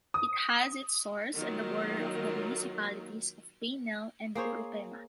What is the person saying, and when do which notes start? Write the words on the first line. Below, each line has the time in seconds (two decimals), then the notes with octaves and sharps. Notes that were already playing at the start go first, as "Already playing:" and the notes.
It has its source at the border of the municipalities of Painel and Urupema.
0.14 D#6
1.34 D#3 F#3 A#3 F4 A#4
4.35 A#3 G#4 C5 C#5